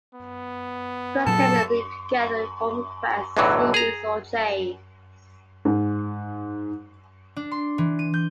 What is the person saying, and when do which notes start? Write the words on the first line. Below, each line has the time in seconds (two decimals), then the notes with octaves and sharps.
Quests can be linked together to form quest series or chains.
0.14 B3
1.27 A#2 F#3 A4 A5
3.37 B1 E2 A2 D3 E3 F#3
3.74 G#4 A#5
5.65 G#2
7.36 D4
7.51 C6
7.78 E3
7.99 D#7
8.14 G6